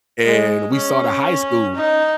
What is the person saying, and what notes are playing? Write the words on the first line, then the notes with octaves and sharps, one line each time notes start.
and we saw the high school,
G#3
C#4
D#4